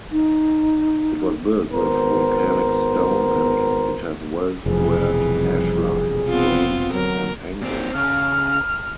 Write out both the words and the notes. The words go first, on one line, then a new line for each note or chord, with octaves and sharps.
It was built with volcanic stone and it has well-squared ashlar in frames and angles.
D#4
G#1 B3 A#4 C5
F1 F2 B2 E3 G3 G#4
B3 C4 F4
D2 F#3 A#4
A#2 C4
C#3 F6